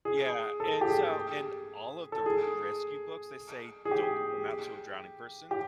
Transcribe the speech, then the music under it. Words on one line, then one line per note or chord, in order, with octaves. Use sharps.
Yeah, and so in all of the rescue books, they say, "Don't come out to a drowning person."
G#4
A4
G4
G#4
A4
G#4
G#4
G4
G4